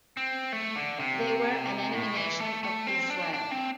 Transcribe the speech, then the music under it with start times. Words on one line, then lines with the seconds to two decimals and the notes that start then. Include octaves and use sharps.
They were an enemy nation of Israel.
0.17 C4
0.52 A3
0.76 D3
0.99 C3
1.93 A2
2.16 E3
2.40 A3
2.63 A3
2.87 C4
3.10 D4
3.33 D4
3.51 C4